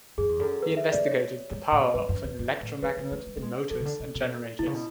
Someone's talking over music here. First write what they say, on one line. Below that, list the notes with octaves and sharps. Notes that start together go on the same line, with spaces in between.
He investigated the power of an electromagnet in motors and generators.
F#2 G#4
E2
F#2 A4
B4
E5
D5
C#5
G#2
A2
G#2 B4
F#2
E2
F#2
A2
A2 B4
C#3
A3
G#3
A3
G#3
F#3 A4
C#3
D3
B2
B2
B2 E4
C#3
B2